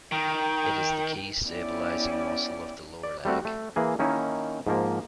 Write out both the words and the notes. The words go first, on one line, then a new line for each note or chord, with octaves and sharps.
It is the key stabilizing muscle of the lower leg.
D#3 G5
B3 C#4 E4 G4 D5
D5
G3 A3 C4 F#4
A3
E3 A#3 G#4
D#3 A#3 C#4 D#4 E4
G#2 F3 A#3